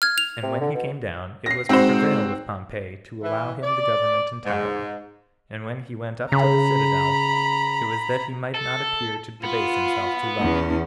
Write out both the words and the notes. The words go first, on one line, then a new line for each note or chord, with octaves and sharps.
And when he came down, it was to prevail with Pompey to allow him the government entirely; and when he went up to the citadel, it was that he might not appear to debase himself too low.
F6 G#6
F7
C3
D3
B2
A#6 C7
G#2 C4 F#4 C5
E3
D5
G#2
C#3 A#5 B5
A4
B3 F4
E2 C#4